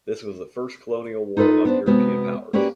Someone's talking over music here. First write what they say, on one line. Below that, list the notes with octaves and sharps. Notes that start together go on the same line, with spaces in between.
This was the first colonial war among European powers.
D#4 F4 A4 B4 D#5
B3 D4 C5
C3 G#3 B3 F#4
A#3 C#4 F#4 G4 B4 D5